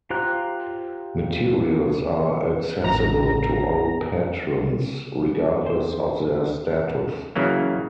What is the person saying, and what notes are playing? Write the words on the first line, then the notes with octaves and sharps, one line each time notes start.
Materials are accessible to all patrons, regardless of their status.
F4 G4 C5 A#5 F#6
A1 A#5 A#6
C5
C#3 E3 F#3 A#3